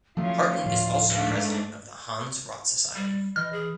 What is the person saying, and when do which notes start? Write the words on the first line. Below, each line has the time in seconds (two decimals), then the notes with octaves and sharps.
Harten is also President of the Hans Rott Society.
0.17 F3 F#3 A3 C#4 E4 F4 F5
0.66 D2 A2 F3 F4
1.12 G#2 A3 D4
2.96 G3
3.36 E3 D#5 F6
3.53 G#4